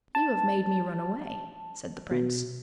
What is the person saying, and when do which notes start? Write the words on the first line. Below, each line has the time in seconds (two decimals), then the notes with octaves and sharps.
'You have made me run away,' said the prince.
0.15 A5
2.11 B2